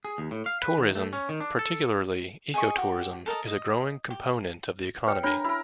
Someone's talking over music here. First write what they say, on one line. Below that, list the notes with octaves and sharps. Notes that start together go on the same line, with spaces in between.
Tourism, particularly ecotourism, is a growing component of the economy.
G#4
D#2
A2
F5
B4
D#3
A3
C#4
D#3
D4
A4
G#4 D#5 C#6
F#4 G4
A4 A#4 D#5 A5
D#5
G4
B4 C#5 G5
D4 A#4 C#5 B5
E4 A#4 B5